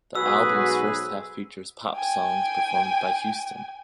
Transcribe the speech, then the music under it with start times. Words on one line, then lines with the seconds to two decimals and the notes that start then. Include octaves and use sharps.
The album's first half features pop songs performed by Houston.
0.15 B1 G#2 F#4 G#4 B4 E6
1.95 G5 G#5